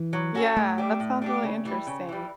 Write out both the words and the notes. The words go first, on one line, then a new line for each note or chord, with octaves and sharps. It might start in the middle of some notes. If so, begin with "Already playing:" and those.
Yeah, that sounds really interesting.
Already playing: E3
F#3
C#4 F#4 A4
A2 A3
G3 D4 G4
A2
G3 D4 G4
C#3
E3 G3
C#3
E3 G3